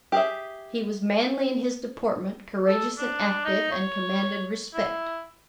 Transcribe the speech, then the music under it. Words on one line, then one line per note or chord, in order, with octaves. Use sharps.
He was manly in his deportment, courageous and, active; and commanded respect.
G4 G#4 E5
A4
D4
D#4
C#5
E4